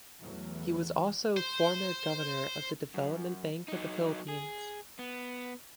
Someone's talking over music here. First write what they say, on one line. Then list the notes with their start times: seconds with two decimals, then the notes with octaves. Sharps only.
He was also former Governor of the Development Bank of the Philippines.
0.21 E2 E3 F#3 A3
1.37 C5
2.94 F#2
3.68 F#3 D#4
4.28 G#4
4.99 B3